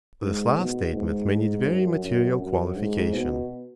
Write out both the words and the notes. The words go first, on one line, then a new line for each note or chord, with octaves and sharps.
This last statement may need very material qualification.
G#2
B2
G#2
F#2
F#2
F#2
G#2
B2